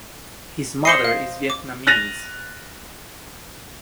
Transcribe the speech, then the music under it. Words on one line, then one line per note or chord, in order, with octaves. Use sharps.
His mother is Vietnamese.
C5 D#5 C7 C#7 G7
F5
D6
F#6 A6 A#6 D#7 F7